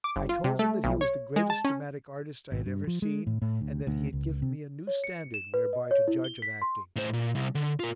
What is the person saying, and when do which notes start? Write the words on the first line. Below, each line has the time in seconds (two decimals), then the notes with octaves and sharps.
I told him that he was the greatest dramatic artist I had ever seen and that he had given me a new standard whereby to judge of acting.
0.04 D6
0.16 G1
0.29 F4
0.44 C3
0.59 A3
0.84 B1
1.01 C#5
1.36 G#3
1.50 A5
1.65 C#4
2.52 G#1
2.66 G2
2.87 F3
3.02 G#3
3.27 A2
3.42 A2
3.61 D2
3.87 D2
4.13 C#2
4.42 C3
4.87 C#5
5.04 C#7
5.34 E7
5.54 B4
5.73 D#5
5.91 C#5
6.08 E4
6.24 G7
6.42 B6
6.62 C6
6.96 A2 C5
7.13 A#2
7.35 C2
7.55 D3
7.80 F4 A#4